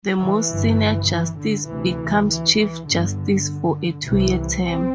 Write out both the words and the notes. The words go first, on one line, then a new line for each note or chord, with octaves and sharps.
The most senior justice becomes Chief Justice for a two-year term.
E3
G1 G2
E3
D3
D2 C3 E3
E3
E3
G1 G2 D3
C2 C3 E3
C4